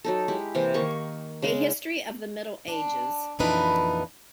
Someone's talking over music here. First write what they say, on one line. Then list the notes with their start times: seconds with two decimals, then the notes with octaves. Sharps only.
A history of the Middle Ages.
0.04 F#3 D#4 A4
0.28 G#3 E4 G4
0.55 C3 E3 A#3 C4
0.74 D#3 A#3 D#4 C#6
1.42 C#3 G#3 D6
2.68 D4
3.39 F2 A#2 E3 D4 D#4 B4